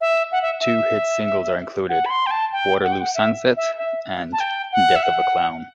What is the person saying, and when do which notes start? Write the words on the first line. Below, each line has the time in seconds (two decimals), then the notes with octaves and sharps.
Two hit singles are included: "Waterloo Sunset" and "Death of a Clown".
0.01 E5
0.32 F#5
0.42 E5
0.60 E5
1.89 F#5
2.06 B5
2.10 C6
2.26 G5
2.31 A5
2.52 G5
2.83 F#5
2.92 G5
3.01 F#5
3.15 E5
3.57 E5
3.78 E5
4.33 A5
4.40 G5
4.72 F#5
4.96 E5
5.03 F#5